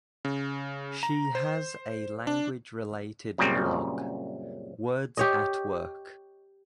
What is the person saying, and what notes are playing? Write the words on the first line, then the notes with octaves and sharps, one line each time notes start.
She has a language-related blog, Words at Work.
C#3
A#5
C5
D4
F#2 A#2 C#3 G3 C4
G4 C#5 D#5